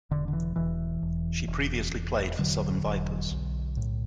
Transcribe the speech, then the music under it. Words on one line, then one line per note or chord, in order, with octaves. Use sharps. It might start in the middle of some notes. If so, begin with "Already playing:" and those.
She previously played for Southern Vipers.
E1 D3
D3
E3
E1 E3
E1
E1
E1
E1 D3 F#3
E1
B1
A2